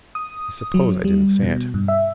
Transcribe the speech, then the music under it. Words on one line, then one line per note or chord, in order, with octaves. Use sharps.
I suppose I did say it.
D#6
F#3
G3
B2
G2
E5